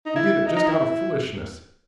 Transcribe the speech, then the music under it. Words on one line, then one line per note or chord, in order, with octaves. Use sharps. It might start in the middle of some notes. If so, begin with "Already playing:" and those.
We did it just out of foolishness.
D#4
E4
D#4
D#4
E4